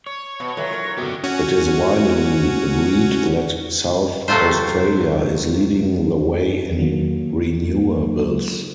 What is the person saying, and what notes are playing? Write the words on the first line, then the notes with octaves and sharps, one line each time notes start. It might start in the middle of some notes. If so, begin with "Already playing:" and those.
It is widely agreed that South Australia is leading the way in renewables.
C#5
B2
D3 E3 F#3 F4
A#4
F#2 B2 D3 B3 G4
C#4 F#4
C3 F#3 A3 F4 C5
D3 D#3 F#3 A#3